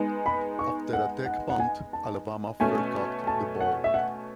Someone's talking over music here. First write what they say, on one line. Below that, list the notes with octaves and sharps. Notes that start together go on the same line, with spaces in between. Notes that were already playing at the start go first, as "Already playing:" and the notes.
After a Tech punt, Alabama fair-caught the ball.
Already playing: G#3 B3 D#4
B5
C#6
F#5
F#5
F#5
G#5
A5
B2 A3 C#4 G#5
A5
F#5
E5
F#5